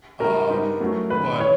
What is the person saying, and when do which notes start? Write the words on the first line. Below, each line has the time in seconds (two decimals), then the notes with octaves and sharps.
um, but
0.20 C#3 E3 G3 A#4
0.50 G3 B3 D#4 G4 C5
0.80 A2 F#3 A3 C#4 F#4
1.10 G#2 D#3 G#3 C#4 B4
1.40 E3 C#5